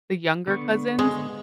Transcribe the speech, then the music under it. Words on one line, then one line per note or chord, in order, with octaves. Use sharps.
the younger cousins
D3 B3 C#6
G#3